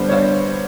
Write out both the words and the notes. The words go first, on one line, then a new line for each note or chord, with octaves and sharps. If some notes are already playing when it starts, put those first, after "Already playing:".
Sorry, go ah
Already playing: D3 G3 B3 D4 C5
C#5